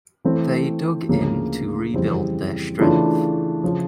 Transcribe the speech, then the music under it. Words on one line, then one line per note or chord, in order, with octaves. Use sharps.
They dug in to rebuild their strength.
E3 A3 C4
D2 C#3 F3 A#3
F2 C#3 E3 G3 C4
C#3 E3 A3 D4 F4
C#3 F3